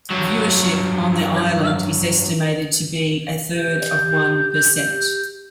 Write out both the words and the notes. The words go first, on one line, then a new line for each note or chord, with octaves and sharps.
Viewership on the island is estimated to be a third of one percent.
G2 F#3
G4 G6